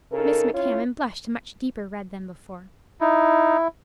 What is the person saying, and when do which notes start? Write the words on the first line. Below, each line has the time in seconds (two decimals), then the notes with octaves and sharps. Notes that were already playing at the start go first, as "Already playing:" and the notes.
Miss Macmahon blushed a much deeper red than before.
0.12 C#3 D#4 A4 A#4
0.54 C#4 E4 F4 C#5
3.01 D#4 E4